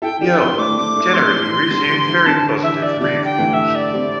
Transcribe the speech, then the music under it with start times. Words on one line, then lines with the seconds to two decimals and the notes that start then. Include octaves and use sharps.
The album generally received very positive reviews.
0.02 E4 A4 G5
0.21 D4 G4 G5
0.40 C4 E4 C6
0.58 A3 D4 D6
0.77 A3 D4 D6
0.96 A3 D4
1.14 G3 C4 C6
1.24 C4
1.32 E3 A3
1.52 E3
1.70 D3 G3
1.89 E3
2.08 E3
2.26 D3 A5
2.63 E3 E5
2.82 D5
3.00 D3 G3 D5
3.25 G5
3.38 E3 A3
3.50 G5
3.53 E5
3.75 D5
3.93 G3 C4